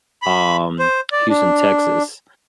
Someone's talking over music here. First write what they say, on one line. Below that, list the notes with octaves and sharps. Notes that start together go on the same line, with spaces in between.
um, Houston, Texas.
B5
C5
D5
D4